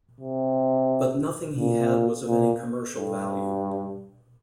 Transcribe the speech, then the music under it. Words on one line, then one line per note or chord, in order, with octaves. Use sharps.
But nothing he had was of any commercial value.
C3
A#2
A#2
G2